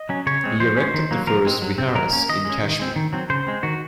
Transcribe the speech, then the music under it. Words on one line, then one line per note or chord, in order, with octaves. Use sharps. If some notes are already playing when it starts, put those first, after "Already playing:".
He erected the first viharas in Kashmir.
Already playing: D#5
F#3 C#4
C#3 C#5
G#3 C4
F3 C5
G#3 C#4
D#3
F#3 A#3
F3 A#4
G#3 C4
F#3
C4
F#3 A#4
A#3 C#4
D#3 D#5
G#3 C#4
D#3
G#3 C4
D#3
F#3 C4
C#3 C5
G#3 C4
D#3 F#4